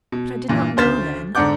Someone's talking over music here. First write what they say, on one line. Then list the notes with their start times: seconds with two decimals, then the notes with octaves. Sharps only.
But I did not know then.
0.12 B2
0.48 G2 A#2 E3
0.77 D2 C#3 C5 F6 A6 B6
1.35 G#2 D3 D4 F#5 D6 G6